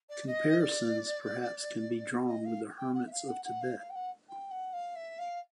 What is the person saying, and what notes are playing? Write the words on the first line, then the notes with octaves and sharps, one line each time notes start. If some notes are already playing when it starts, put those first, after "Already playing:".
Comparisons perhaps can be drawn with the hermits of Tibet.
D5
D#5
D5
D#5
F5
G5
F#5
E5
F5
F#5
F#5
F5
F5
G5
F#5
G5
F#5
F5
E5
F5